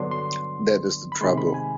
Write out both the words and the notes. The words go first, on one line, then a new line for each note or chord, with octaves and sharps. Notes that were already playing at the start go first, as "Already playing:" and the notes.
That is the trouble.
Already playing: G2 D3 F#3 B3 D4 C6
C6
B5
C3 D#3 G#3 C6
B5
G#5